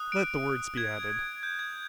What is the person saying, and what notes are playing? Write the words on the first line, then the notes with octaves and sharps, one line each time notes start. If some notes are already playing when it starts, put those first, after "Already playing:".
Let the words be added.
Already playing: D#6 F#6
D7
G#6
G6
G#6